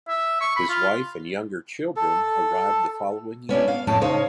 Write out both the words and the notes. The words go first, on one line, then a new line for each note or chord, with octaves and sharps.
His wife and younger children arrived the following year.
E5
C#6
B5
F4
A4
B3 C#4 D4 E4
F5
F2 A2 C#4 A5
C#3 D#4 C5 C#5 F5